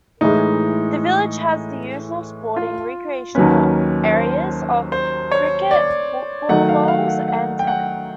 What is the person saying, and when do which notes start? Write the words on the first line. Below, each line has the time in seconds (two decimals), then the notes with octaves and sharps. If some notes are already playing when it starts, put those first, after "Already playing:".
The village has the usual sporting recreational areas of cricket, football, bowls and tennis.
0.21 A2 E3 G#3 D#4
2.56 F4
3.35 D#2 D#3 F#3 A#3 C#4 B4
4.14 C5
4.92 C5
5.31 C#5
5.71 D5
6.49 D#3 F#3 A3 F#5
6.69 F5
6.84 F#5
6.88 F5
7.08 F#5
7.28 F#5
7.59 G5
7.67 F#5